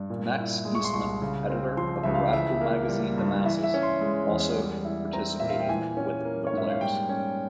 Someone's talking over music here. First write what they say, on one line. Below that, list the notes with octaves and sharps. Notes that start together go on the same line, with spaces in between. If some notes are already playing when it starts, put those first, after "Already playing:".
Max Eastman, editor of the radical magazine The Masses, also participating with the Players.
Already playing: G2
A#2
E4
G#3
C#6
C6
C2 C#6
C#3
C4
F3 C6
C#2 E5
F5
F5
E3 E5
A#3
G3
G2
E3 E5
E5
C#4
C6
G#3
E2
G3
E4
C4 A#5
A#2 E5
F5
G5
E3 G#5
C#4
A#3
C#5
G#2 E5
F5
G3 G5
C#4